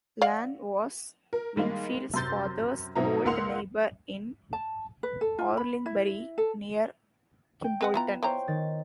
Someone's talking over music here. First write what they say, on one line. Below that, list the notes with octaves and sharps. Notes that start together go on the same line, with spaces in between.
Lane was Wingfield's father's old neighbour in Orlingbury, near Kimbolton.
D5 F5 F#5
A#4
D#3 G3 G#3 A#3
F#2 C3 C6 G6 A6
G#2 B2 F#3 C4 E5 A#5
C#2 A#3 F#5 C6 F7
A5
B4
A4
F4
B5
E4
A4
G5
C4 B4 F#5 A#6
B3 E4 F4 A#5
E3 F3 C5 C#5 G5 A#5
D#3 A6